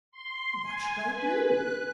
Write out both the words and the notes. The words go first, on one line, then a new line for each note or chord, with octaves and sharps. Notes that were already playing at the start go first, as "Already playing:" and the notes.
What should I do?
C6
G#5
B4
F#6